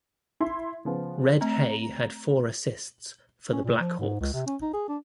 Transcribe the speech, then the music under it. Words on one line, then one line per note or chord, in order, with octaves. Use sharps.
Red Hay had four assists for the Black Hawks.
E4 E5 C6
C#3 F3 B3
A3 C4 A#5
C#4
A#2
F3
G#2
C#2
C3
C#4
D#4
G#4
D4